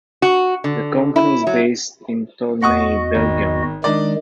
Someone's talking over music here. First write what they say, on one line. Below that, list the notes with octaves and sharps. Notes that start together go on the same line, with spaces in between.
The company is based in Tournai, Belgium.
F#4
D3
E4
F#3
E2 F#4 D#5 F#5 C#6 D#6
G#1
D#3 G#3 D4 D#4 D5